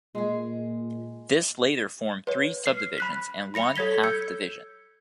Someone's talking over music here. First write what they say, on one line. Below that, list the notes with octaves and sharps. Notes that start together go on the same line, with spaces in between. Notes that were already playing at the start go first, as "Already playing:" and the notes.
This later formed three sub-divisions and one half-division.
A#2 G#3 G#4
B4 C#5
F6 C7
B5 F#6 B6
B5 A#6 C#7 F7
A4 C#5 G#6 B6 G7
E6 G6 G#6 C#7